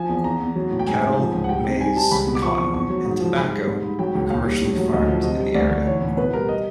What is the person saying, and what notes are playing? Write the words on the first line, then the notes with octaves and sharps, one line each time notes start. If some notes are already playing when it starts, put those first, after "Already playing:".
Cattle, maize, cotton and tobacco are commercially farmed in the area.
Already playing: F3 G#5
E2
E2 A#5
E2
F#3
A2
G5
G#2 G#5
G#2
F3
C#2
F#5
G3 G5
C3
G3 G#5
G3 A5
C#2 B5
B2
D6
F3 C#6
E2 C#6
E2 C#6
F#3
G#2
F3
G#2 B5
G3
G#2
G#2
F#3 G5
C#2
D#2 F5
G3
A2
F#3
D2 D#5
F3
C3 D#5
G3
D2 D5
D2
E3 C#5
A2
B2 B4
G3 A#4
D#5